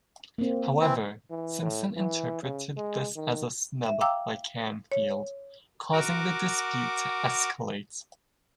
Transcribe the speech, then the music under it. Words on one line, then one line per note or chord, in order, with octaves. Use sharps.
However, Simpson interpreted this as a snub by Camfield, causing the dispute to escalate.
A#3 C4
E3 C4
E3
A2
E3
C#3
G#3
D#3
E5
F5 G5 A#5 D6 E6
C#5
F#4 A#4 D6